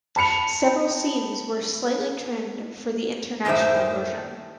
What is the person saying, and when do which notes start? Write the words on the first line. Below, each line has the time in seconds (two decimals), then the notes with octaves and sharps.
Several scenes were slightly trimmed for the international version.
0.16 A5 B5 C#7 F7
3.45 F#2 A2 D#3 C5 E5